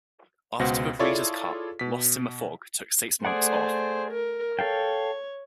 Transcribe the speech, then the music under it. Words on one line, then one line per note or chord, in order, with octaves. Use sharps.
After the Breeders' Cup, Lost in the Fog took six months off.
C#2 B2 C5 F#5 A#6
E4 F4 G#4 A4 C#5 D5
B2 B6
A3 G#4 C5 D5 F#5
A#4
A4 C#5 F5 G5